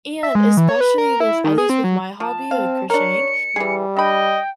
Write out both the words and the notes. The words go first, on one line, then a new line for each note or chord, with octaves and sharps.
And especially with, at least with my hobby, like crocheting
E5
G#3
E3
C#5
B4
A#4
E4
D#3
G#4
C4
F#3
F3 A5
C4 F5
D4 A#4 C#5 C#7
E3 G3 G#4
D4 D#5 G5 B5